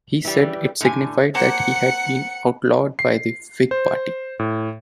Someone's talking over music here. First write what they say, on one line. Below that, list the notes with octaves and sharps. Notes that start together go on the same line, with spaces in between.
He said it signified that he had been "outlawed" by the Whig party.
E3 G3
A2 D3 G#5
A#3 C5 F#5 A5 C#7
C7
C5
A2